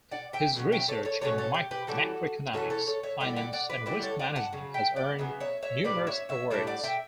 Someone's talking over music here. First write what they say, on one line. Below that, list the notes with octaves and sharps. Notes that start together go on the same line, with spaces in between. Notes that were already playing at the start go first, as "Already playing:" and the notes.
His research in macroeconomics, finance, and risk management has earned numerous awards.
D5 F#5
E5 G5
B2 F#3 C#4
E5 G5
A4 C#5
A4 C#5
B2 F#3 A3 C#4 A4 C#5
A4 C#5
G4
G4 B4
E3 G3 C#4 F#4 A4
E3 G3 C#4 F#4 A4
A4 C#5
A4 C#5
C#5 E5
D3 G3 B3 E4 D5 F#5
D5 F#5
D5 F#5
B4 D5
D3 G3 B3 E4 B4 D5
A4 C#5
D5 F#5
F#5 A5
C#3 F#3
E5 G5
D5 F#5
C#3 F#3 B3 E5
C#5 E5
C#5 E5
A2 G3 D4 B4 D5
C#5 E5
C#5 E5
A2 G3 D4 C#5 E5
D5 F#5
E5 G5